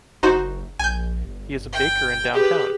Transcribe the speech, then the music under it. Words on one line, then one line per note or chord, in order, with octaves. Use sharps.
He is a baker in downtown.
F#1 D#4 F#4 C5
A#1 G#5 G6
G1
G5
G4 G#4 B4